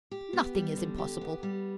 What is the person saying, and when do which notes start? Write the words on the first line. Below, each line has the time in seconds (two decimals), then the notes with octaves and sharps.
Nothing is impossible.
0.11 G4
0.33 B3
0.55 G3
0.77 D3
0.98 G4
1.21 B3
1.43 G3